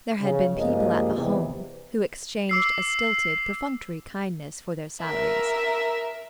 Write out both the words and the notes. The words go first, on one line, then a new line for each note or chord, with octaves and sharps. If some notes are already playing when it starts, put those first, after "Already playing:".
There had been people at the Home, who exchanged a stilted, perfunctory kindness for their salaries.
C#3
G2 F3 G#3 A#3 G4 D#5
E2 C3 E3
D6 E6 C7
A#4 E5